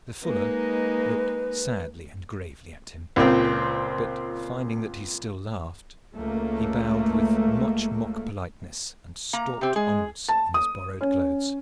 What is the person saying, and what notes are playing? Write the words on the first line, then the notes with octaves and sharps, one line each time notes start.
The fuller looked sadly and gravely at him; but finding that he still laughed, he bowed with much mock politeness and stalked onwards in his borrowed clothes.
G#3 A#3 D#4 B4
C#2 A#2 C4
C#2 A3 A#3
A#3 A#5
C3 C4 G4
G#3 G#4
A5
D#6
C#4